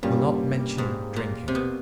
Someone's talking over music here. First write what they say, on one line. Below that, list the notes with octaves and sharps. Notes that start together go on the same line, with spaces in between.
Will not mention "drinking."
G2 A#2 G3 A#3 C#4
G#2
A#2
C3
B2